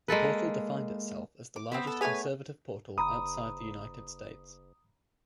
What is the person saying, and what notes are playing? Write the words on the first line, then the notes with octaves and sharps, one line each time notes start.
The portal defined itself as the largest conservative portal outside the United States.
G#3 A#3 A4 B4
D6
B3 C4 C5 E5
A4
A3 G#4 B4 C#5 G#5
F#1 A#5 B5 D#6